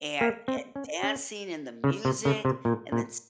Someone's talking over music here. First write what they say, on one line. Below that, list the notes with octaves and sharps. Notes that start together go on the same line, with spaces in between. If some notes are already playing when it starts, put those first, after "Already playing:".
and and dancing, and the music, and then s
A#3
C4
C#4
C#4
C#3
C3
C#3
C3
A#2
A#2